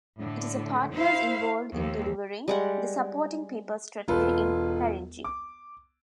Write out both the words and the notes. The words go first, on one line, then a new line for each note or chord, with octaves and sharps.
It is a partners involved in delivering the Supporting People strategy in Haringey.
A2 D3
E4 C5 F5
D#2 F3
G3 G#3 F#5
E1 F4 A4 B4
D6